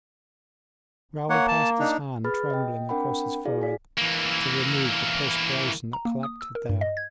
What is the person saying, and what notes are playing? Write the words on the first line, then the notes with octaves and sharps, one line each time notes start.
Raoul passed his hand trembling across his forehead to remove the perspiration that collected there.
A#3 C#5 F#5
A5
D4 D#4
G#4 B4 B5 F6 A6
D#5 G5
C4 D4 A#4 F#5 G5 B5
E4 F#4 G#4 D5 F5
G#5 B6
E3 A#3
A#5
A#3
D#6
E6
A#4
G2
D#5
G#6